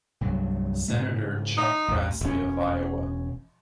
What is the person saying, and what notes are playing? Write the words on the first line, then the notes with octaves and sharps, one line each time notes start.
Senator Chuck Grassley of Iowa.
C2 G2 F#3
G#2 C#3 A3
D#4
A1 E2
E1 C#4